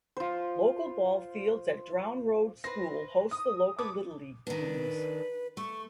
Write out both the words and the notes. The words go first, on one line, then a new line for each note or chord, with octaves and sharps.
Local ballfields at Drowne Road School host the local Little League teams.
F4 C5
B4 C5 A#6
D#6
B4 C#5 A5 D6
D#3 D4 B4
A3 C#6